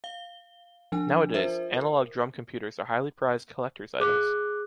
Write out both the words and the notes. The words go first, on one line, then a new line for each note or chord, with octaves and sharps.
Nowadays, analog drum computers are highly prized collector’s items.
F5 G7
F3 D4 G#5
F4 A#4 C5 E5
A#4
G#4 D6 F#6